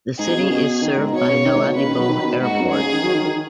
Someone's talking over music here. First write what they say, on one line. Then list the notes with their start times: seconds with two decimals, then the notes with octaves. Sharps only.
The city is served by Nouadhibou Airport.
0.19 G#2 G#4
0.29 B2
0.39 C#3
0.50 B2 G#4
0.82 D#3
0.98 G#2
1.13 B2 C#5
1.29 C#3
1.45 D#3
1.56 G#2
1.67 B2
1.76 C#3 B4
1.88 D#3
1.99 F#3
2.09 D#3
2.24 B2
2.40 G#2 F#4
2.50 G#2
2.61 F#2
2.72 G#2 G#4
2.82 C#3
2.93 D#3
3.04 F#3
3.14 D#3
3.25 D#3